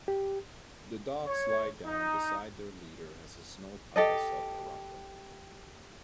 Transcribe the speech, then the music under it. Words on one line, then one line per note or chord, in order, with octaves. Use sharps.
The dogs lie down beside their leader as the snow piles up around them.
G4
C#5
D#4
G4 A4 D#5